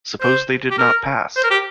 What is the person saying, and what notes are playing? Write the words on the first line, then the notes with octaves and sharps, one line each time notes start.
Suppose they did not pass!
C5
G4
A#4
C5
A#4
G4